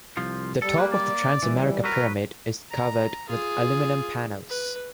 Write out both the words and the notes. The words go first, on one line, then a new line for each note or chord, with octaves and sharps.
The top of the Transamerica Pyramid is covered with aluminum panels.
C2 F3 F4
G3 A4
A#3 B4
D5
E3 G3
F#3 A#4 B4
A#5
F4 G#4
B4